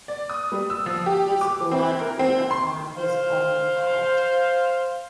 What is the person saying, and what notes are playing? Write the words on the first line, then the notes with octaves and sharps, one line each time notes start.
His blood be upon his own head.
D5
D#6
G3
E6
F3
G4
D6
C4
A#4
C4
C6
C5 F5